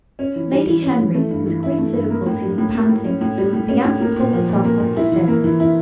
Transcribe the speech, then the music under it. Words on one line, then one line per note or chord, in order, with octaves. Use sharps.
Lady Henry, with great difficulty, and panting, began to pull herself up the stairs.
C#4
E3
G3
E3
C#4
E3
A3
G2
E3
E4
A3
G2
A#3
A2
G3
A2
A#3
A2
C#4
A2
G3
A2
C#4
A2
A#3
A#2
F3
A#2
A#3
A#2
E4
E3
A#3
E3
E4